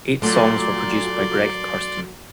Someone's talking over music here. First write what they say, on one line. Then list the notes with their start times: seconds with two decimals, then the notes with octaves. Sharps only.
Eight songs were produced by Greg Kurstin.
0.22 A#2 F#3 A3 F4 F#4 A4 D5 C6